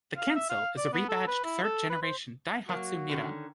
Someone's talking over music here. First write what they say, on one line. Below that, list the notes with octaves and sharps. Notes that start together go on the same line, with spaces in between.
The Kancil is a rebadged third generation Daihatsu Mira.
F5
E5
F5
D5
B3
A4
B4
E4
A4
B4
C5
F#3 A#3 F#4
D3 D#3 C#4